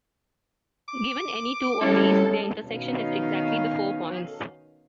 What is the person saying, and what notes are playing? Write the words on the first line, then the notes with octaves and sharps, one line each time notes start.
Given any two of these, their intersection has exactly the four points.
D6
G3 C#4 E4 A4
B2 D#3 C#4 D#4 F5